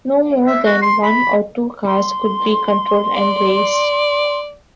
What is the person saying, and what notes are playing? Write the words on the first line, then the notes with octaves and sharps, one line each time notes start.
No more than one or two cars could be controlled and raced.
E5
F#4
C6
B5
C6
D5